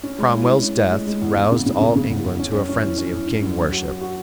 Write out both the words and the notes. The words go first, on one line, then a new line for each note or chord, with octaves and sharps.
Cromwell's death roused all England to a frenzy of king-worship.
C#4
G#3
E4
G#3
C#4
G#3
G#3
G#3
E2
E3
C#3
C#3
C#3
C#3
E2
E2
C#4
F#2
C#4
E3
C#4
E3
C#4
F#2
F#2
F#4
F#4
F#4